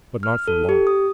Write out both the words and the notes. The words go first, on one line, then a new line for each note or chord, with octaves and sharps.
But not for long.
F6
A4
G4
D#6